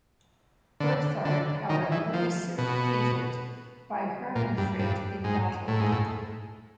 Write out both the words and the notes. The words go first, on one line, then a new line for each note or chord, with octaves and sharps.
Berthar, however, was soon defeated by Hermanfrid in battle.
D3
D3
D#3
E3
F3
B2
A#2
G2
G2
G#2
A2
G#2
A2